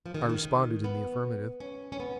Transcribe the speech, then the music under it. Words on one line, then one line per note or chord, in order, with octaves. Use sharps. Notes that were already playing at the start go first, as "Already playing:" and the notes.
I responded in the affirmative.
F3
D#3
C#3
D#3
B3
C#4
C#4
B3